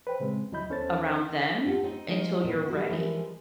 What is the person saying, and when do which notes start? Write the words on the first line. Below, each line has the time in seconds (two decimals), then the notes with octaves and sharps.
around them until you're ready.
0.07 B4 C5 G5
0.20 A#2 C#3 G#3 C4
0.52 D2 F#3 E4 D#5 B5 G6
0.69 D#2 B3 C#4 A4 C5 A6
1.65 F4 G4 A4 F#5
1.83 C4 D#4 C5
2.08 F3 G#3 D#4
2.44 A#2 B3
2.70 G3 E4 F#4
2.89 E3 F3 G3 G#3 G#4 A#4